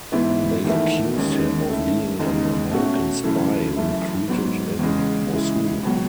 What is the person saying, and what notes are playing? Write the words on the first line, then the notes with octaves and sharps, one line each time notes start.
They accused him of being an American spy recruited in Mosul.
G#2 E3 B3 E4
E2 D#3 A3 E4
D#2 D#3 G#3 C#4
D#3 A3 C#4 E4
D#2 C#3 G#3 D#4
B2 A3 C#4 F#4
F#2 C#3 E3 A3
F#2 E3 A3 E4
G#2 F#3 B3
E2 C#3 G#3
C#3 E3 G#3
C#2 B2 F#3